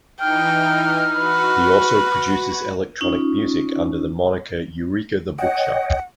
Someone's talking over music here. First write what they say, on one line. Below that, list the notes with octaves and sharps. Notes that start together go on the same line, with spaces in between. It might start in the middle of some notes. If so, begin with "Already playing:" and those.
He also produces electronic music under the moniker Eureka the Butcher.
E3 D#4 G5 F6
F#4 B4
C#4 D#4 F4
C#5 D#5 F#5 G5